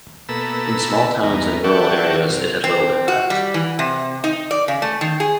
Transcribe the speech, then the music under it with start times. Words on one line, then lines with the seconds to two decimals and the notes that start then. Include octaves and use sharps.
In small towns and rural areas it had little impact.
0.29 B2 A#3 A4 B5 E6
1.23 E2 B3 A#4
1.64 D5 E5 F#5 G5 A5 C#6
2.29 F#2 C3
2.64 C4
3.08 F#4
3.30 G3
3.54 E3
3.79 C3
4.24 D#4
4.51 D5
4.68 C#3
4.82 A3
5.01 D#3
5.20 G#4